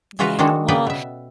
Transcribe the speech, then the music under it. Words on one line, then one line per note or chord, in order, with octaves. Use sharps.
Yeah, well,
C#3 E3 F4 F#4 B4 A#5
D#3 G#3 D4 F#4 A4
C#3 B3 B4 D5 G5
B2 E5